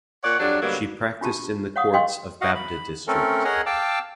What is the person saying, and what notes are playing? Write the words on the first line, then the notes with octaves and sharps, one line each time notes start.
She practiced in the courts of Baabda District.
A#2 C#5 D5 F#5
F2 F#3 G3 D4
G2 B2 D3 F#3 G3 A#3
D4 F4 G4 A5
C#5 F5 F#5 C#6 D#6
D#5 F5 G5 C6 C#6
F#4 D#5 F5 F#5
B5
A3 C4 C#4 A4 A#4
G#4 A#4 C#5 D#5 F#5 G#5
F5 G5 A5 D6 E6